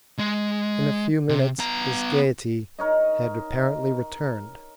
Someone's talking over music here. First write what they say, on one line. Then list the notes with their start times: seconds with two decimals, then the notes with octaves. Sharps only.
In a few minutes his gaiety had apparently returned.
0.19 G#3
1.29 C3
1.59 B3 A#5
2.79 D#4 A#4 C#5 D#5